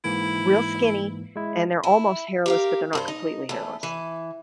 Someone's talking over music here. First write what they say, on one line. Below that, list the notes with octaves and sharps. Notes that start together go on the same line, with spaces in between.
real skinny, and they're almost hairless, but they're not completely hairless.
G#2 E3 A#3 E4
G#3 E4
E4
G4 A#4 F5
G2 A#4 C5
D#4
E2 A3
E3